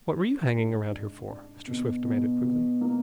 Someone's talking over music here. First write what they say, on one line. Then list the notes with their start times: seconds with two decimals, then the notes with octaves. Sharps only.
"What were you hanging around here for?" Mr. Swift demanded quickly.
0.16 D4
0.53 G#2
0.91 D4
1.29 D4
1.67 B2
2.05 B2
2.43 B2
2.81 A#3